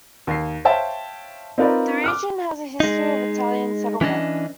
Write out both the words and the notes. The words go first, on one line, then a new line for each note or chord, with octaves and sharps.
The region has a history of Italian settlement.
D#2 C7
C5 C#5 E5 F5 G5 A5
C4 D#4 F4 A#4 B4 D5
D6 F6 F#6
G#3 D#4
E3 C#4 D4 D#5